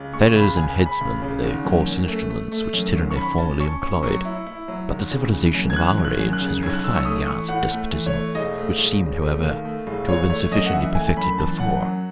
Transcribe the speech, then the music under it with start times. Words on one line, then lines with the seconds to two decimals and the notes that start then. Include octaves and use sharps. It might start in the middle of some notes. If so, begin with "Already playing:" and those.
Fetters and headsmen were the coarse instruments which tyranny formerly employed; but the civilization of our age has refined the arts of despotism which seemed, however, to have been sufficiently perfected before.
Already playing: C#2
0.14 G#3 C#6
0.35 C#2 B5
0.57 C#3 G#5
0.79 C#4
0.86 B5
1.01 C#2
1.22 C#3
1.43 G#1
1.65 F#2
1.87 F#2
2.08 A3
2.30 A3
2.52 A3
2.73 F#2
2.95 G#1
3.11 C#6
3.16 C#4 B5
3.38 C#4 A5
3.59 C#4 C#6
3.82 C#4 C#6
4.03 F#3 C#6
4.25 E4
4.47 E4
4.68 F#3
4.90 G#1
5.11 C#3
5.32 E3
5.54 F#2
5.70 G#6
5.76 E3 F#6
5.97 G#1
6.05 F#6
6.19 F#2
6.33 F#6
6.41 C#3
6.62 B1 G#6
6.73 F#6
6.84 B1 E6
6.96 C#6
7.05 A3 D#6
7.27 E3 C#6
7.48 A2 F#5
7.71 A3
7.92 E3
8.06 C#5
8.14 A3
8.35 E1 D#5
8.58 A3
8.78 E1
9.00 E1
9.22 A3
9.43 D#2
9.65 A3
9.87 E1
10.09 E3 C#5
10.30 A3 C#5
10.51 F#2 D#5
10.66 F#5
10.73 E3 E5
10.95 A3 G#5
11.17 F#2 B5
11.38 E3 A5
11.59 F#2 F#5
11.82 F#3